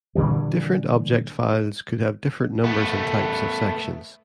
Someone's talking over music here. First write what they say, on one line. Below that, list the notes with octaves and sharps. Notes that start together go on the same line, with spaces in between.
Different object files could have different numbers and types of sections.
A#2 D3 E3 G3
A3 B3